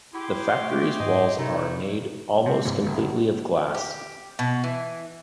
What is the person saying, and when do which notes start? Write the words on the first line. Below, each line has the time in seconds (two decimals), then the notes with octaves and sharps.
The factory's walls are made almost completely of glass.
0.14 E4 G4 G#4 C6
0.59 A3
1.00 G#2 D#5
1.38 C3 D#3 A3 D#4 E4
2.46 C3
2.65 F1 G2 C3 A#3
2.81 F#1 D3
3.75 G4
4.39 B2
4.64 E3